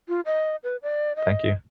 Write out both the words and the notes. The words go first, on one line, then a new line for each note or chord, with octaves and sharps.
Thank you.
F4
D#5
B4
D5
D#5